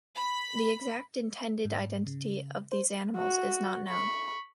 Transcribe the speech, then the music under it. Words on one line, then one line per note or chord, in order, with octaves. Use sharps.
The exact intended identity of these animals is not known.
B5
G#2
C#3
C5
F#4
B5 C#6